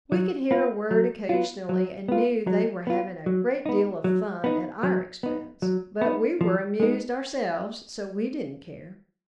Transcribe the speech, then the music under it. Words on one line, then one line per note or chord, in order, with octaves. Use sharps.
We could hear a word occasionally and knew they were having a great deal of fun at our expense; but we were amused ourselves, so we didn't care.
F#3
B3 F4
F#3
B3 F4
F#3
B3 F4
F#3
B3 F4
F#3
B3 D#4
F#3
B3 D#4
F#3
B3 D#4
F#3
B3 D#4
F3
G#3 B3 D#4